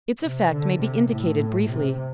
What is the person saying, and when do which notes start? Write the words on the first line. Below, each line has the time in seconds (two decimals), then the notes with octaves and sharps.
Its effect may be indicated briefly.
0.20 C3
0.49 D3
0.78 C3
1.08 A2
1.67 C3